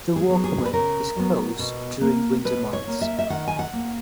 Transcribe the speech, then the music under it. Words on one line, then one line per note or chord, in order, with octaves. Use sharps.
The walkway is closed during winter months.
G#4
F#3 B3
G#4
B4
C#3 A#4
F#3 B3
B2
A#3
B2 B4
C#5
A#3
E5
E5
D#3 F#5
G#5
F#5
A#3